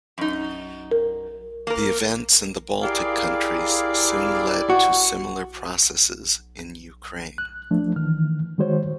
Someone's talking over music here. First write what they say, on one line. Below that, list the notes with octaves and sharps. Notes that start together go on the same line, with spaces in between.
The events in the Baltic countries soon led to similar processes in Ukraine.
F#2 D#4
A#4
A#3 A#4
E4 G4 G#4 A#4 D5 F5
F#4
F#6
F3 A3 D4
D#3 E3 F6
D#3 G3 G#3 F#4 C5 C#5